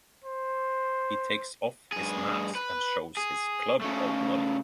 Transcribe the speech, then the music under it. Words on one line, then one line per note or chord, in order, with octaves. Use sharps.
He takes off his mask and shows his club all bloody.
C5
G2 G#4
B4
G#4
C#3 A3